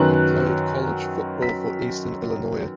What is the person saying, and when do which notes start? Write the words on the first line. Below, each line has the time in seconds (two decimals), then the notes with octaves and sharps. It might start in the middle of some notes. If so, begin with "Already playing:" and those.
He played college football for Eastern Illinois.
Already playing: F#2 D#3 F#3 B3 F#6
1.42 B6